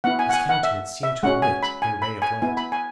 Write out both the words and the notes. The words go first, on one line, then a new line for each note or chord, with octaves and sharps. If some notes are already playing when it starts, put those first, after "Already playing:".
His countenance seemed to emit a ray of light.
B3 E4 F#5
G#5
F#5
G#5
F#5
E5
E5
G#3 C#4 F#4 F#5
G#5
B5
G#5
B5
G#5
B3 E4 G#5
B5
G#5